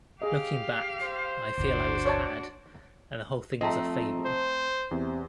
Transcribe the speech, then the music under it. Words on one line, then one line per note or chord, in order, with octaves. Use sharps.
Looking back, I feel I was had and the whole thing was a fable.
G4 G#4 D#5 F5
C5
G1 D2 D4 F#4
C#5 D5 A5
F2 A3 C4 D#5 A5 A#5
C5
E2 C3